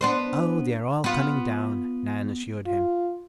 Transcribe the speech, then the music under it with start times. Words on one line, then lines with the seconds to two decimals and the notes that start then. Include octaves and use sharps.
"Oh, they are all coming down," Nan assured him.
0.01 B3 D4 C5
1.04 B3 F4
2.66 F4